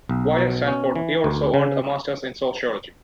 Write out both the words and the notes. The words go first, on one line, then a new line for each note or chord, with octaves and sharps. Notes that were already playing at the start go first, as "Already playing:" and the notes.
While at Stanford he also earned a Masters in Sociology.
B1
B2
C#4
E3
D2
C#3